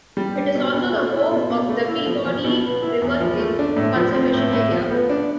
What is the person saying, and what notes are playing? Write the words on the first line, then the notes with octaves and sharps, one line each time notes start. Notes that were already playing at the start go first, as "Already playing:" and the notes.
It is also the home of the Peabody River King Conservation Area.
G3
D4
B2
B2
A3
E4
B2
B2
A3
E4
F3
F3
B2
B3
E4
E2
F3
A3
D4
A2
F3
C4
A2
A2
F3
B3
D4